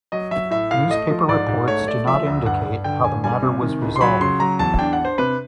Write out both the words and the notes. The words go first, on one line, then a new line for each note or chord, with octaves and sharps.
Newspaper reports do not indicate how the matter was resolved.
F#3 D#5
F#3 E5
A2 E5
A2 F5
A3 D#5
F3
G#2 D5
G#2
A3 C#5
A3 D5
F3 E5
D2
G2 F#5
G2
D3 G5
G2 G#5
G3 G#5
C3
D#3
C#2
C6
F#3 B5
C#3 C6
F#3 A#5
E2 A5
D4 G5
F#5
D4
C5
C3 B4